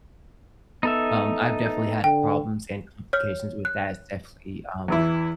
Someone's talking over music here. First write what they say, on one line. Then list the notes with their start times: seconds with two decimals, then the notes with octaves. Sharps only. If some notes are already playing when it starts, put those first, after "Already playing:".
um, I've definitely had problems and complications with that, it's definitely, um,
0.83 B3 D#4 A4 B4 E5
2.04 D3 G5
3.13 C#5 F6
3.65 F#6
4.88 E2 E3 E4